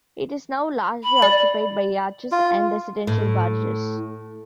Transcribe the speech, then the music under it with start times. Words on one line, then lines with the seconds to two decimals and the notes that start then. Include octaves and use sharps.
It is now largely occupied by yachts and residential barges.
1.03 B5
1.22 D5
2.32 F4
3.07 A2